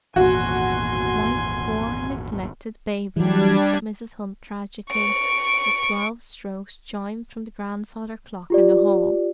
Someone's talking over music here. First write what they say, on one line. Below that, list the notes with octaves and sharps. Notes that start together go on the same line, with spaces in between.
"My poor, neglected babies!" said Mrs. Hunt tragically, as twelve strokes chimed from the grandfather clock in the hall.
G#1 E2 A#2 F#4 G#5 C6
E3 F#3 G3 D4 G#6
C#6 D7
F4 G4 D5